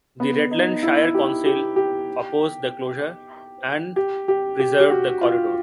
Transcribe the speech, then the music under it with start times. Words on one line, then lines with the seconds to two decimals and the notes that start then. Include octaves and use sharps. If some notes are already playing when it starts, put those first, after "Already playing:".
The Redland Shire Council opposed the closure, and preserved the corridor.
0.20 B3
0.51 D#4
0.83 E4
1.14 G4
1.46 G4
1.76 G4
3.96 G4
4.28 G4
4.59 G4
4.80 G4
4.90 F#4
5.21 F4